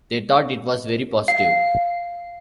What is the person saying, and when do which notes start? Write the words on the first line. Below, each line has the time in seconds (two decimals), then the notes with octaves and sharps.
They thought it was very positive.
1.28 F5